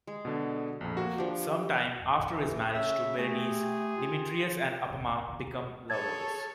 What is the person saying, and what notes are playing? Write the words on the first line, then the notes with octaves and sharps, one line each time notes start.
Sometime after his marriage to Berenice, Demetrius and Apama became lovers.
G#3
B2 D3
A#1 F2
A#3 F#4
F3 D4 G4
E3
C#3 E5
C3 A3 G4 G#4
F4
G#4 A4 C#5 A5 G#6